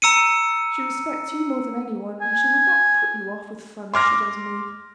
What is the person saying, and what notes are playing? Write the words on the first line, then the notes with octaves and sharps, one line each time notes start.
She respects you more than any one, and she would not put you off with fun as she does me.
A#5 E6 C#7 D#7
G#5
C6 D6 F6 A#6